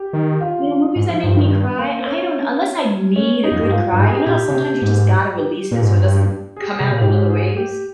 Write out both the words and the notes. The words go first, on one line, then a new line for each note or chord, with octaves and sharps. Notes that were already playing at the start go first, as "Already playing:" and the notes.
you know, movies that make me cry, I don't unless I need a good cry, you know how sometimes you just gotta release it, so it doesn't come out in other ways?
Already playing: G4
D#3
G4
F4
G#2
F3
G2 F3
D#3
A#3
C4
C#4
C#4
D#4
F2
G2 G4
G#2 F4
G2
G#2 G4
G#4
G4
A#2 G4
C#3
C3
G#2
G4
A#2
G#2
G2
G#4
G4
G#4
C3
A#2 G4
G#2 G4
G#4
G4